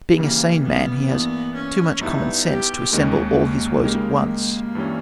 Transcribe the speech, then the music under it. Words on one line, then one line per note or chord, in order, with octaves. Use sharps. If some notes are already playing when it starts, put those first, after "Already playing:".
Being a sane man, he has too much common-sense to assemble all his woes at once.
C#3 E3 G3 A#3
B3
G2 E3 A#3 B3
C#4
G2 G3 B3 D#4 E4
G4
D#2 D#3 G#3 A#3 C#4
C#3 G#3 A#3 D#4 G4 A#4
G2 E3 G3 C#4